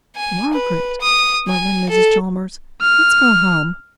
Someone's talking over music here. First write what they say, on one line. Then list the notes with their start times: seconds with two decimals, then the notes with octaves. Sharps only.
"Margaret," murmured Mrs. Chalmers, "let's go home."
0.16 G#5
0.54 B4
1.01 D#6
1.48 G#5
1.90 A4
2.82 F6